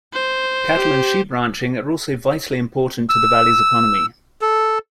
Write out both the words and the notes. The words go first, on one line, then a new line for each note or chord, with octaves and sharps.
Cattle and sheep ranching are also vitally important to the valley's economy.
C5
G4
E6
A4